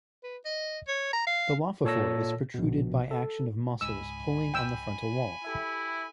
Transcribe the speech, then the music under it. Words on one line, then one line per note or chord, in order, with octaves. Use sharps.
The lophophore is protruded by action of muscles pulling on the frontal wall.
B4
D#5
C#5
A#5
F5
A#2 A4 C#5 A5 E6 A#6
A#1 B2
A4
C#2 G#2 D#5 G#5 B5 E6
G5 E6
E4 G4 A4 E5